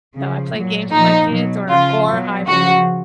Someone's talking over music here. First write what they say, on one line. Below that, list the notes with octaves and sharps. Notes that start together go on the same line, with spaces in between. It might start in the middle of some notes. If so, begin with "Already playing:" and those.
So, I play games with my kids or or I will,
C#3 F3
A#2 F#3
A#2 F3 D#4
B2 F#3
C#3 F3 F4
B2 F#3
C#3 F3 F#4